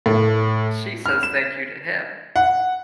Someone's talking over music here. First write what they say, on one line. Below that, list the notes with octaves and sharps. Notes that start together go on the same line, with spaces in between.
she says "Thank you" to him,
A2
F6
E7
F#5